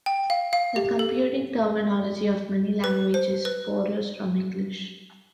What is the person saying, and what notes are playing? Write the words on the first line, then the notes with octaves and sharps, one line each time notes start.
The computing terminology of many languages borrows from English.
G5
F5
F5
G4
A4
B4
C5
B4